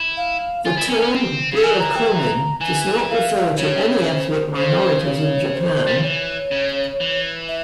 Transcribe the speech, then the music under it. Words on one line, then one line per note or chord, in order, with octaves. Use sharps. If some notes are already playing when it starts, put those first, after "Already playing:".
The term burakumin does not refer to any ethnic minorities in Japan.
Already playing: E4
F5
F4 G#5
E4
C#4
C#4
C4
C#3
E3 G#5
A#5
G5
A#5
E3 G#5
F5
C#3 C#5
C5
C#3 C5
C#5
C5
G3
F3
E3 C#5
C#3
E3
E5